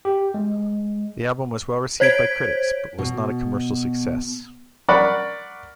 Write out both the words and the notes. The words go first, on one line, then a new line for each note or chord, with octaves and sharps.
The album was well received by critics, but was not a commercial success.
G4
G#3
C5 C#5 G#6 B6 D7
B2
A#4 D5 F#5 B5 C#6